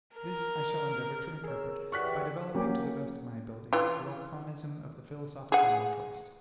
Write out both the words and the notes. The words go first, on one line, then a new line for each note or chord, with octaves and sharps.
This I shall endeavour to interpret, by developing to the best of my ability the laconism of the philosophical naturalist.
A#4
G#4 A#4 C#5 E6
E3 F#4 G4 D5 C#6 F#6 B6
F#3 A#3 C#4 G4
E3 F4
G#4 F#5